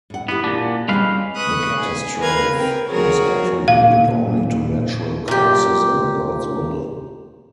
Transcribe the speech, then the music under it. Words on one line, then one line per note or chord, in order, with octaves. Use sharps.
The catastrophe was attributed only to natural causes and "God's will".
A2 F#5
B3 E4 G4
A#2 D4
G3 G#3 C4 C#4 B4 F5
B4 C#6 D#6 F#6
G#4
A#4 B4 F5 G#6
C4 A#4 G5
F3 F#4 G#4 A#4 C#5
A#2 F5
A#2 G4